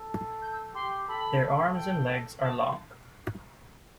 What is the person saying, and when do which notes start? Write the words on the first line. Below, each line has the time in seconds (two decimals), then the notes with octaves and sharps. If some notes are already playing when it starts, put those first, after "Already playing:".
Their arms and legs are long.
Already playing: A4
0.42 G6
0.53 E6
0.75 G4 C6
1.08 A4 B5
1.42 A4
1.75 G5
2.42 A5